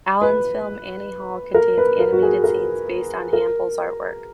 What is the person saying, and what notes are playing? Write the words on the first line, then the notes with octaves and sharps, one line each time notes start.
Allen's film "Annie Hall" contains animated scenes based on Hample's artwork.
B4
A#4
B4
A#4
F#4
G#4
A#4
A#4